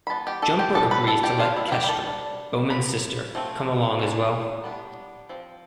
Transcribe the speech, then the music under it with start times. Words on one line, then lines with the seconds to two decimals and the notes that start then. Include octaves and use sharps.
Jumper agrees to let Kestrel, Bowman's sister, come along as well.
0.07 B5
0.10 E3 B3 A5
0.27 G4 G5
0.42 A4 A5
0.59 G4 G5
0.75 E3 G3 D4 A4 A5
0.91 B4 B5
1.07 A4 A5
1.23 G4 G5
1.39 G3 B3 D4 F4 F5
1.56 E4 E5
1.68 F5
1.72 G4 G5
1.84 B5
1.88 A4 A5
2.05 G3 D4
2.70 F3 C4 B4 B5
3.35 F3 A3 C4
3.99 E3 A3 D4
4.64 G3 B3 D4
5.29 F3 C4